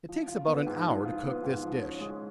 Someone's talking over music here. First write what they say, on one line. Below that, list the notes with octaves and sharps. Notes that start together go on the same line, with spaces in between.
It takes about an hour to cook this dish.
F3
F4
B3
G#2
F3
F4
B3
G#2
F3
C#4
G#3